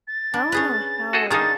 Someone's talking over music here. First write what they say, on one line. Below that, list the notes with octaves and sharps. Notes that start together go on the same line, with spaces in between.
I don't know how
A6
D4
C#4 G#4 B4
F#4 G#4 A4
D#3 D4 D#4 G#4 F5 A6